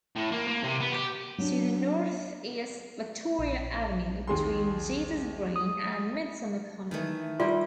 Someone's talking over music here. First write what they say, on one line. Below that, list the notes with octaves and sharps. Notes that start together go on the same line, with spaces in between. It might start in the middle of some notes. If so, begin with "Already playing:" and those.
To the north is Victoria Avenue between Jesus Green and Midsummer Common.
A2
A#3
A#3
C3
B3
G4
F#3 D4
A#1
D#2 G#4 C6
D#6
D#3 E3 A3
G3 F4 F#4 A#4 D5 E5 G5 C6